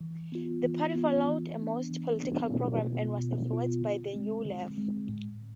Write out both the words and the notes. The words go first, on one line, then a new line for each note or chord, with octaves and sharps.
The party followed a Maoist political program, and was influenced by the New Left.
E3
B3 F4
E3
B3 F4
E3
B3 D4
E3
B3 D4
B2
B3 F4
B2
B3 F4
D3
G#3 C4
D3
G#3 C4
A2